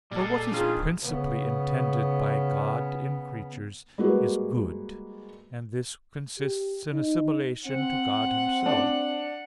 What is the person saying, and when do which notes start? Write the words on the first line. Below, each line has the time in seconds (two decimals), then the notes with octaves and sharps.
For what is principally intended by God in creatures is good, and this consists in assimilation to God Himself.
0.11 A#2 G3 G#3 A4 D5
0.52 D#3 F3 D4 F4 G#4 F6
1.02 C#3 B3
3.98 G3 G#3 A#3 F#4 B4
6.38 G4
6.92 D#4
7.67 C4 F#5
8.66 D4